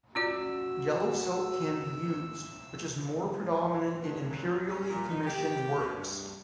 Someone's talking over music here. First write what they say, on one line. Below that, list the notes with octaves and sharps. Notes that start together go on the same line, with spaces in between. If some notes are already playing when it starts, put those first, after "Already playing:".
Yellow silk can be used, which is more predominant in imperially commissioned works.
C#4 F4 F#4 D5 E6
G2
F#2
C#4
A#2
D#4
G4
B2
G2